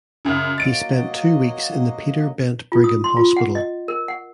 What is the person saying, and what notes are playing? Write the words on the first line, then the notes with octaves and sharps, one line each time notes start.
He spent two weeks in the Peter Bent Brigham Hospital.
F#2 C#3
F#3 A#3 D#5 A6 D7
F4
D#6
C6
F4
F#5
D#5
A#4
F#5